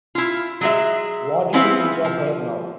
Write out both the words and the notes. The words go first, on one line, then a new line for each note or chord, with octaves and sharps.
What did you think of her, now?
E4 F4
F#3 G#3 E5
G#3 B3 C4 E4 F5
F3